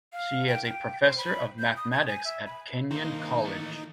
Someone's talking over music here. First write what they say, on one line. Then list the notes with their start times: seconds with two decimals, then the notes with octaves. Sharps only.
She is a professor of mathematics at Kenyon College.
0.13 F5
0.47 G5
0.65 G5
1.02 C5
1.18 B5
1.59 G6
1.77 D#6
1.92 G#6
2.07 G#5
2.25 E5
2.46 B5
2.91 G2 D#3 A#3 D#4 C5
3.45 E3 A3